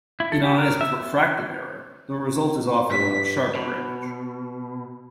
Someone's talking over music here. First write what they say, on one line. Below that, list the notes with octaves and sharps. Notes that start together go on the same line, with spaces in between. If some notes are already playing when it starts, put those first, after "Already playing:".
In eyes with refractive error, the result is often a sharper image.
E4
A4
G4
A#4
E5
G2 B6
B2